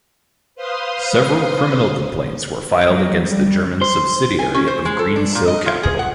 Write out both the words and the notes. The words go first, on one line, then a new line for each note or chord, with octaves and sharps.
Several criminal complaints were filed against the German subsidiary of Greensill Capital.
B4 C5 F5 C6 D#6
F#3
G3
C5
G#5
C#4
C5
G#3
A4
D4
A#2
D#5
F4
G#4
F#5